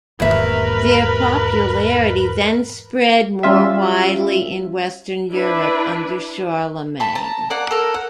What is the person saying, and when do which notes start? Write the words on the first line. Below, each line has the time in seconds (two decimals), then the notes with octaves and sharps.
Their popularity then spread more widely in western Europe under Charlemagne.
0.20 E1 D#2 G#2 A#4 B4 E5
3.43 G3 C#4 F4 E5
5.32 D4 E4 B4
7.00 A5 B5
7.15 A5 A#5
7.50 A#3 D5 F#5
7.71 A4 A#4
7.94 F#5